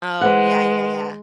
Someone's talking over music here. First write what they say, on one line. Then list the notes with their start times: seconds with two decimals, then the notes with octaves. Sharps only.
Oh yeah, yeah, yeah.
0.21 G#3 B4 C5 F#5